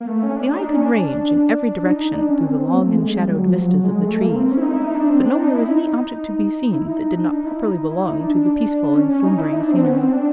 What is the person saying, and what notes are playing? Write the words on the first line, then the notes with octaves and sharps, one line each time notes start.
The eye could range, in every direction, through the long and shadowed vistas of the trees; but nowhere was any object to be seen that did not properly belong to the peaceful and slumbering scenery.
A#3
A3
C#4
D4
D#4
D4
C#4
D4
D#4
D#4
D4
C#4
C4
C4
A#3
A3
G#3
G#3
G3
F#3
F3
F#3
G#3
A3
A#3
C4
C#4
E4
D#4
E4
D#4
D4
C4
D4
D#4
E4
D#4
E4
D#4
D#4
D4
D#4
E4
D#4
E4
D#4
D4
D4
C#4
C#4
D#4
E4
D#4
D4
C4
B3
C#4
C4
D4